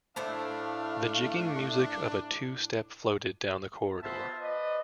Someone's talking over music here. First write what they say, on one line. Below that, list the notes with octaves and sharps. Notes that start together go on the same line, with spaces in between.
The jigging music of a two-step floated down the corridor.
A2 A3 D4 E4 C5 F5
B3 F4 C5 E5 A5
B4 D5 D#5